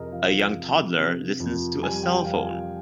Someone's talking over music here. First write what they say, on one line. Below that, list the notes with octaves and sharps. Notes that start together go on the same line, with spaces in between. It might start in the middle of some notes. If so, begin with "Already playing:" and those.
A young toddler listens to a cellphone.
Already playing: F2 C3 G#4 A#4 D#5
F2 F5
F2
C3
F2
G3 G#5
G5
F2 F5
G#5